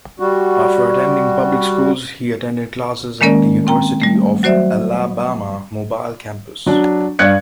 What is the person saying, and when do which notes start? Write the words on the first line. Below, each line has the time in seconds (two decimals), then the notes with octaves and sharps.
After attending public schools, he attended classes at the University of Alabama, Mobile campus.
0.20 G3 F#4
3.21 D#3 G#3 A#3 C#4 A#4 D5
3.67 C4 G5 A#5
4.02 G3 A3
4.43 F#3 F#4 C5 D5 E5
6.66 F#3 D4
7.19 G2 D5 F5 F#6 G#6 C#7